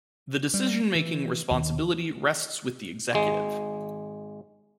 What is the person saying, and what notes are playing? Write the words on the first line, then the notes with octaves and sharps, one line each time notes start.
The decision-making responsibility rests with the executive.
G3
E3
D#2
G#1 G#3